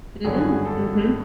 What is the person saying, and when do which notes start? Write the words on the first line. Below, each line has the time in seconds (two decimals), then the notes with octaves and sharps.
Mm, mhm.
0.24 G#1 G2 D3 F#3 G#4
0.38 G#4
0.52 G#4
0.66 A4